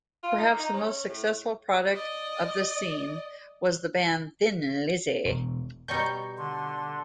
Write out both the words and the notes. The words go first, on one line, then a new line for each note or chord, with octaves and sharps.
Perhaps the most successful product of this scene was the band Thin Lizzy.
F4
D#4
D#4
C#4
A2
D5 D#5
E1
B2 G3 D#4 C#6 G6
D3 C6